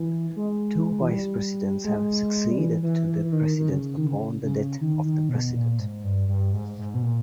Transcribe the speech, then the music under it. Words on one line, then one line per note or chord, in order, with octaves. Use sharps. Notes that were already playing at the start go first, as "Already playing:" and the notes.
Two vice presidents have succeeded to the president upon the death of the president.
Already playing: E3
G#3
E3
G3
G#3
G3
E3
E3
E3
E3
D#3
D#3
C#3
D#3
C#3
C#3
D#3
D#3
B2
A#2
G#2
G2
G2
G#2
G#2
B2
A#2